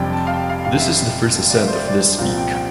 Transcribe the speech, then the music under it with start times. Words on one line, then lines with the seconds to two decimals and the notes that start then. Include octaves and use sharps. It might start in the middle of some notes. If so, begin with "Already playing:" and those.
This is the first ascent of this peak.
Already playing: F1 F2 C3 G3 D4 G5
0.13 A5
0.27 F5
0.33 G5
0.49 F5
0.65 F5
0.79 E5
1.50 D5
1.57 E5
1.67 C5
1.72 D5
1.88 D5
2.18 C2 A#2 F3 C4 F5
2.38 G5
2.55 G5